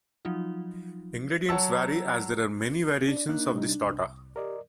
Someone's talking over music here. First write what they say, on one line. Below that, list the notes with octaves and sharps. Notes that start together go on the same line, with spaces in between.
Ingredients vary as there are many variations of this torta.
F3 F#3 D#4 F4
F#3 C#5 F#5 A5 E6
D4 D5
A#3 D4 D#4 F#6
C3 G3 D#4
C2
G4 A#4 D5 D#5